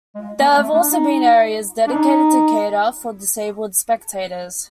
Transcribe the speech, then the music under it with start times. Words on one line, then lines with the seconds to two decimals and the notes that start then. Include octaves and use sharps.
There have also been areas dedicated to cater for disabled spectators.
0.15 G#3
0.40 A#3
0.57 A3
0.74 D4
0.91 D#4
1.87 D4
1.92 D#4